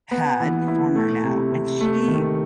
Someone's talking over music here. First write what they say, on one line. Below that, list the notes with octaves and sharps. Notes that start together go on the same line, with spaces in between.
had, former now- and she,
B3
E3
E4
A3
C3
C3
A3
D#3